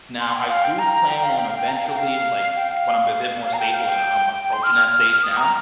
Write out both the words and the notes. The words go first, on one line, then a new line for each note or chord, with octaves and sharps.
Now, I do plan on eventually, like, when I'm a bit more stable, and I'm approaching that stage now,
C6
G5
F5
G5
A#5
A#5
G5
F5
G5
F5
G5
A#5
F5
G5
F5
G5
F5
F5
A#5
G5
F5
G5
G5
G5
C6
F6
D#6
A#5